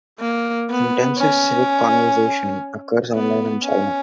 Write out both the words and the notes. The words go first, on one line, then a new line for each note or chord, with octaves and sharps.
Intensive civic conversation occurs online in China.
A#3
B3
C#4
B3
C#4